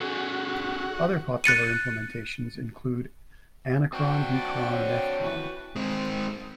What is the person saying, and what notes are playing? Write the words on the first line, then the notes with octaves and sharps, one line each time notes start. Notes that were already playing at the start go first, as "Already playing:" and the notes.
Other popular implementations include anacron, dcron, and fcron.
C#4 F#4 G#4 A4
F#6 A6 C#7 D#7
C4 D4 F#4 G5
D5
C#5
E3 F#4 B4
G#3 C4